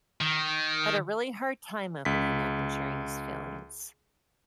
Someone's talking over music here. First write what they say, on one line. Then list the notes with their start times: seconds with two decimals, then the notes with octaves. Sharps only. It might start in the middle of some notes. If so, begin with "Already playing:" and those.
had a really hard time opening up and sharing his feelings,
0.21 D#3
2.05 C#2 B6